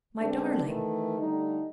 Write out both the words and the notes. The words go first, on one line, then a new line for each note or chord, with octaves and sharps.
"My darling!"
D3 G#3 B3 C4 D4
D#3 E3 A3
D3 G3 A3 D#4